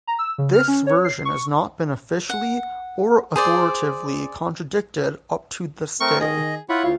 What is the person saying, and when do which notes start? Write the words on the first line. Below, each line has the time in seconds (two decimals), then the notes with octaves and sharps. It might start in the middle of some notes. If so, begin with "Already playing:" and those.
This version has not been officially or authoritatively contradicted up to this day.
0.07 A#5
0.19 E6
0.38 C#3
0.53 F6
0.68 C#4
0.87 C#5
1.05 C7
1.25 C#6
2.30 F#5
3.36 G#4 C5 D5
6.00 A3 C4 A#4 C#6
6.21 D#3 G#4 D#5
6.69 E4 F4 C#5 F#5 B5
6.84 D2 F4